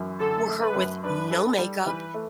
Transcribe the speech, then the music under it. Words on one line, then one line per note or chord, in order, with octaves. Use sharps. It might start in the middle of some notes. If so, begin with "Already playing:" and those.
were her with no makeup,
Already playing: F#2 E3
D3 A4
A3
B4
F#2
D4 B4
A4
G3
E3 B4
A3